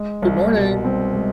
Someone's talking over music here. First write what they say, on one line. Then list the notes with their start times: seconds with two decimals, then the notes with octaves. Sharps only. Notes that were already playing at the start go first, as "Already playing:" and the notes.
Good morning.
Already playing: G#3
0.22 C2
0.54 B2
0.84 C4
1.15 G#3